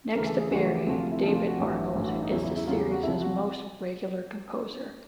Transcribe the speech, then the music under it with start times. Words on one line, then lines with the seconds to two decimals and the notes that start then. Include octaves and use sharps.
Next to Barry, David Arnold is the series' most regular composer.
0.15 D2 C#3 E3 A#4
0.27 A4
0.39 G#4
0.51 D2 C#3 E3 F#4
0.63 F#4
0.75 G4
0.87 D2 C3 F3 F#4
1.00 F4
1.11 E4
1.23 D2 C3 F3 E4
1.35 F4
1.47 F#4
1.57 A1 G2 E3 G4
1.67 F#4
1.95 A1 G2 E3 G4
2.04 F#4
2.13 E4
2.22 D#4
2.31 E2 C#3 F#3 E4
2.43 E4
2.56 E4
2.67 E2 C#3 F#3 F4
2.79 G4
2.91 F#4
3.03 C2 C3 F3 E4
3.21 F#4